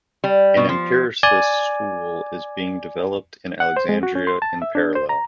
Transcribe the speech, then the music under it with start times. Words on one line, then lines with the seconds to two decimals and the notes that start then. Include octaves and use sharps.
An empiricist school is being developed in Alexandria in parallel.
0.24 G3
0.57 B2
0.69 F3
1.23 D5 G#5
3.60 F#5
3.77 C5
3.89 G#3
4.03 F#4
4.15 C#4
4.27 C6
4.42 A5
4.62 E5
4.75 D4
4.95 C5
5.09 A#5